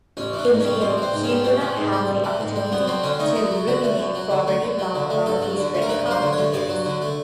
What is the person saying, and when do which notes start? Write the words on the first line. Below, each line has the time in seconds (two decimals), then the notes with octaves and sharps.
In the end, he will not have the opportunity to ruminate for very long about his radical nihilism.
0.17 A1 C#4
0.33 E3
0.38 D4
0.49 G#2
0.60 C#4
0.65 G3
0.81 A1 C4
0.97 E3 C4
1.13 G#2
1.24 C#4
1.29 G3
1.44 A1 C4
1.61 E3
1.77 G#2
1.92 G3
2.08 A1
2.24 E3
2.40 G#2
2.56 G3
2.72 F#2 B3
2.87 F#3 C4
3.03 D3 C#4
3.19 A3 D#4
3.35 F#2 E4
3.51 F#3
3.68 D3 F#4
3.84 A3
3.99 F#2
4.15 F#3
4.31 D3
4.47 A3
4.62 F#2
4.79 F#3
4.95 D3
5.10 A3
5.26 G2 A4
5.42 F#3
5.58 D3
5.74 A3
5.82 A#4
5.89 G2 B4
6.06 F#3
6.11 C5
6.22 D3
6.33 A3 C#5
6.53 G2 D5
6.70 F#3
6.85 D3
7.01 A3